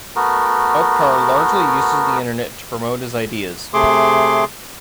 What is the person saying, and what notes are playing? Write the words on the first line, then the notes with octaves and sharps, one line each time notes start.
Oktar largely uses the Internet to promote his ideas.
A3 B3 F#4 A#4
C3 A3 G#4 C6 D6